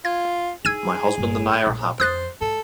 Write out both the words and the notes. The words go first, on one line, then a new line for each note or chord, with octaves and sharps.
My husband and I are happy.
F4 G#6
D#4 G#4 E6 G#6 D#7
G1
A#1
F2 C5 D#6 F#6 A6
G#2 A4